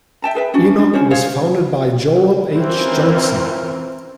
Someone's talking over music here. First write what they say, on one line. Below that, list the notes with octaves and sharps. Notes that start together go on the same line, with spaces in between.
Enoch was founded by Joel H. Johnson.
E5 G5 A5 A#5
G#4 B4 E5
C#4 D4 F#4
D4
C#4 F4 C5 C#5
G#4 C5 C#5 F5
E3 C4 C#4 F4 A#4